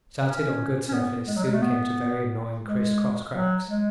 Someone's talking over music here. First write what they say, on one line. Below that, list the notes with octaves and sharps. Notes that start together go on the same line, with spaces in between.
Started on good surface, soon came to very annoying criss-cross cracks.
C#4
C#4
B3
G#3
F#3
G#3
A3
B3
G#3
F#3
G#3